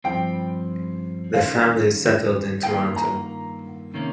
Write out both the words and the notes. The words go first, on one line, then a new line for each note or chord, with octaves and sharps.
The family settled in Toronto.
G2 F3 C4 G5
D#3 G3 C#4 F4 F5
G2 D#3 A#3 F4 G5
A#5
C3 D#3 A#3 C#4